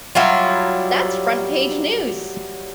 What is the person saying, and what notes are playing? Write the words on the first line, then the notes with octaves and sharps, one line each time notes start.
That's front-page news!
F#3 G3 E4 F4